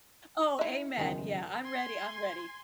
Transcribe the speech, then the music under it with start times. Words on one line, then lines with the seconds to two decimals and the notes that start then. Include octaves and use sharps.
Oh, amen. Yeah. I'm ready. I'm ready.
0.59 D#4 E4
0.98 F#1 E2 C3 D#3 G#3
1.63 G#5 C6